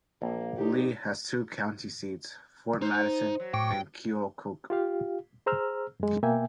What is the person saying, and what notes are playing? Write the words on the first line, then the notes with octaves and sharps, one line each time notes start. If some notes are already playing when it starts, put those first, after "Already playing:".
Lee has two county seats - Fort Madison and Keokuk.
A#1 A#3
D#4 G4
D#4 C5
F#3
A2 G5 C#6 D6
F4 G4 F5
G#4 C5 A#5 E6 F6
F#2 G#3
B2 A#3 E5 G5 G#5